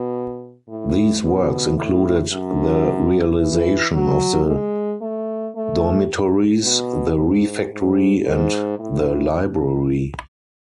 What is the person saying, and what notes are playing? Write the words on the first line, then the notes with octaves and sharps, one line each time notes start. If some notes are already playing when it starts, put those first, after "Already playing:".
These works included the realization of the dormitories, the refectory and the library.
Already playing: B2
A2
B2
A2
F#2
E3
F#3
G#3
A3
A3
B2
G#2
G#2
G#2
A2